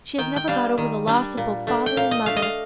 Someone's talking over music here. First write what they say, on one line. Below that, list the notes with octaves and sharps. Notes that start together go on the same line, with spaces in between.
'She has never got over the loss of both father and mother.'
D#3 G5
G5
G3 D4 F5
D#3
G3 D4
A#2
A3 D4
G5
A#2 F5
D#5
A3 D4 F5
D#5
F5